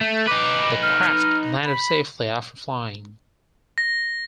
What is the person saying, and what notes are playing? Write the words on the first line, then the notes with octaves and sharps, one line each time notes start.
The craft landed safely after flying.
A3
D#4 B4 D6
F6
B5
A#6